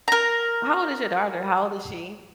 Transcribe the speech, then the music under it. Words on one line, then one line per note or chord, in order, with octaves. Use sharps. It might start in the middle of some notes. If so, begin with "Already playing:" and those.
How old is your daughter? How old is she?
A#4 A#5